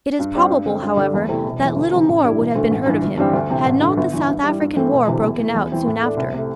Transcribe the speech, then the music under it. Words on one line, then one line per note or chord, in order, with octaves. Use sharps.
It is probable, however, that little more would have been heard of him, had not the South African War broken out, soon after.
G2
G3 C4
G2
D3 C4
G2
D3 G3 D4
E2
C3 A3 C4 E4
E1
E2 E3
D2
C3 E3
A1
G2 G3 E4
E1
D2 D3 A3
A1
G2 E3
G1
G2 E3 G3 C4
D2
C3 E3 C4
A1
G2 D3
G1
G2 E3
G2
G3 E4
G2
E3 A3 C4 E4
E1
D2 C3 E3
E2
E3 A3
E2
E3 C4 E4
A2
A3 D4
C2
C3
A3